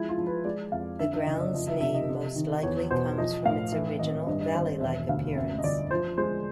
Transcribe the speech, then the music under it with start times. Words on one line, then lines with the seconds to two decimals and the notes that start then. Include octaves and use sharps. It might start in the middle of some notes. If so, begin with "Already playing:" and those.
The ground's name most likely comes from its original valley-like appearance.
Already playing: F3 G#3 E4
0.09 F4
0.18 F3
0.27 B4
0.45 G#3 D5
0.72 F2 F5
0.99 D3 E5
1.13 E5
1.27 F#1 D#5
1.40 D5
1.54 F3 D#5
1.68 E5
1.81 C3 E5
1.95 D#5
2.09 C3
2.36 D#3
2.63 E2 C#5
2.91 B2 C5
3.18 F3 D#5
3.45 A2 F5
3.72 E3 E5
3.99 G#1 D#5
4.27 G2 D#5
4.41 D#5
4.54 G#1 C5
4.81 E1 E5
5.09 D2 F5
5.36 F#2 E5
5.59 D#5
5.63 G1 D5
5.91 F3 C5
6.18 G#3 C5